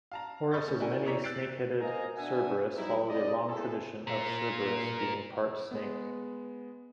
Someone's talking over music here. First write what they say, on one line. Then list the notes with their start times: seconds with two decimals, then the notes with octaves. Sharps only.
Horace's many snake-headed Cerberus followed a long tradition of Cerberus being part snake.
0.12 F5 A5 A#5
0.51 D#5 B5 C#6 G6 A6
0.68 C#4
0.80 D4 E4 F#4 A#4 G5 G#5
1.05 B3 E4 C#5 D5 A#5 B6
1.24 E6 F#6 G6 A6 C7 D7
1.81 A#4 C5 D#5 F5 G#5 A#5
2.16 B2 D4 E5 F#5 G#5
2.76 F#3 G3 D#4 E4
3.09 C2 D5 D#5
3.47 B3 C4 E4 G#4 A4
4.07 A#2 A#3
5.71 G#3 B3